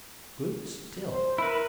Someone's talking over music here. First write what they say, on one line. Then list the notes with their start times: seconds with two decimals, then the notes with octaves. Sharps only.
Good, still.
1.10 C5
1.38 E4 A#4 B4